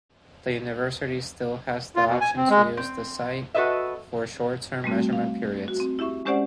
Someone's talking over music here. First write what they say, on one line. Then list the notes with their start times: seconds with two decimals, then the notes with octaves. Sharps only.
The university still has the option to use the site for short-term measurement periods.
1.96 F4
2.08 B2
2.21 G#5
2.37 C4
2.50 G#3
2.77 C4
3.54 F#4 A4 B4 D#5 E5
4.84 G3 A3 C4 F#4
5.13 F5
5.68 F#4
5.80 C4
5.99 E4 G4 E5 C#6
6.25 G#3 C#4 G4 C5 D5 F#5